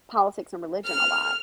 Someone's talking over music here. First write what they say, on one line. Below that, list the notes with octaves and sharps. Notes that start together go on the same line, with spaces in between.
politics and religion a lot,
F6